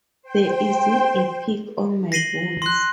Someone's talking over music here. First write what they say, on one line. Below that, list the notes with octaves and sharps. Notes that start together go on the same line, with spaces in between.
There isn’t a pick on my bones.
C5 G5
A#6 C7 D#7 F#7 G7
C6 F#6